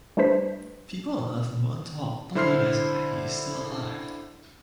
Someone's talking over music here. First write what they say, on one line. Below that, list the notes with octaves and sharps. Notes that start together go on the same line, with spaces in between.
People on Earth mourn Tom, not realising that he is still alive.
G3 A3 D4 B4 C5 B6
D3 E4 C5 C6 F6 C7